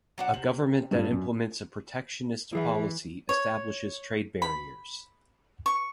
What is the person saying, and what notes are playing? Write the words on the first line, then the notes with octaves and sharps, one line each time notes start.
A government that implements a protectionist policy establishes trade barriers.
F#3 D4 F#5
C3 F#7
G2 E4 F4
F#2
E3 E4 G#4 E5
C#5
B5
C#6